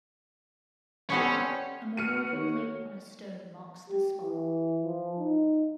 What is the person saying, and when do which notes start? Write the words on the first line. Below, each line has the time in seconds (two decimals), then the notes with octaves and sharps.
A memorial plate on a stone marks the spot.
1.10 G3 B3 C#4 A4 C5 C#5 B5
1.97 F#4 F6 C#7 D#7
2.32 D#2 C#5
3.89 G4
4.22 E3
4.82 F3
5.18 D#4